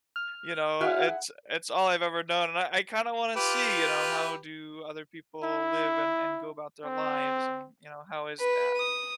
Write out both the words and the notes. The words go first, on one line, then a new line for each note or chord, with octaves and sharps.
you know, it's it's all I've ever known and I I kinda wanna see, you know, how do other people live and and go about their lives and, you know, how is that?
F6
E4 F#4 G#4 F5 F#5
F4 G4 B4
E4
C4
B4
D#6